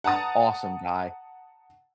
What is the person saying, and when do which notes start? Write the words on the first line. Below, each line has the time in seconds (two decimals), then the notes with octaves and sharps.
awesome guy,
0.04 F#5 A5 A#5 D#6 A6